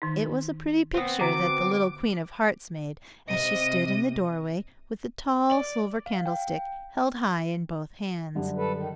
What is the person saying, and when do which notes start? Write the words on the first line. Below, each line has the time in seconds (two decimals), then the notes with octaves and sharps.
It was a pretty picture that the little "Queen of Hearts" made, as she stood in the doorway, with the tall silver candlestick held high in both hands.
0.02 D#3 D#4
0.94 B3 C4
1.19 D3 F#4 D6
3.29 C3 D#5 D#7
5.52 D5
6.06 F5
6.26 G5
8.35 F#2 D3 G3
8.57 A4 B4
8.76 D#3